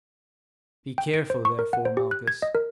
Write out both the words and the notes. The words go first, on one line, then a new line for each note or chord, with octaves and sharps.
Be careful, therefore, Malchus.
G5
D7
C5
C#6
A#4
F#5
C5
G4
F#6
G#6
D#5
A#4